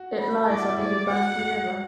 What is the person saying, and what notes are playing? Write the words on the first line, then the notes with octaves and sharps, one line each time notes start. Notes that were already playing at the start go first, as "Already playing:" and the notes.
It lies on the Ubangi River.
Already playing: F#4
B5
E4 D5
F#4
E4
G#4 D5
F#4 F#5
F#4
F#4